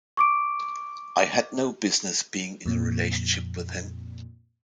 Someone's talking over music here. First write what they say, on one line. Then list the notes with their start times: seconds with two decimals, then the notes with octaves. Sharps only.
I had no business being in a relationship with him.
0.17 C#6 D6 D7
2.66 F2 A#2